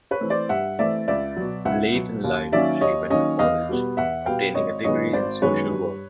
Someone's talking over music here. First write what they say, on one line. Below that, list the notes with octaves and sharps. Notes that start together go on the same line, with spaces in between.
Late in life she went to college, obtaining a degree in social work.
B4 C#5
E3 A3 C4
C5 D5
G2 E5 F#5
E3 A3 C4 D5 E5
C#2 D5 E5
B2 F#3
C#2 E5 F#5
B2 F#3
D#2
D#3 F#3 A#3 C#4 D5 E5
D#2 C#5 D#5
D#3 F#3 A#3 C#4 C#5 D#5
E2 D#5 F5
B2 G3 B3
E2 E5 F#5
B2 G3 B3 F5 G5
G#1 C#5 D#5
F#2 D#3 G#3 B3 C#5 D#5
G#1 C5 D5
F#2 D#3 G#3 B3 B4 C#5
G2